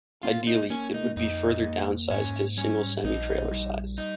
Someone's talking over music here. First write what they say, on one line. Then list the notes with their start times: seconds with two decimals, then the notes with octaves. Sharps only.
Ideally it would be further downsized to a single semi trailer size.
0.23 A#3 F4
0.47 D#4
0.70 A#3 C#4
0.94 D#4
1.17 F2 D#4
1.64 A#3
2.10 G#2 C#4
2.57 G3 C#4
3.04 A#1 D#4
3.51 G3
3.98 D#4